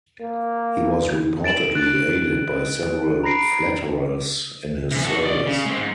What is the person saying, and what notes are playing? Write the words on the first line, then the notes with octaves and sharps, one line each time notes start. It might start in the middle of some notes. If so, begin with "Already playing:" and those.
He was reportedly aided by several flatterers in his service.
A#3
A6 D7 E7 F#7
F#6 A6 D7
A#5 B5 A#6 C7 D7
C3 E3
F#4 A4
D5 D#5
C#3
G#3 C4
G#2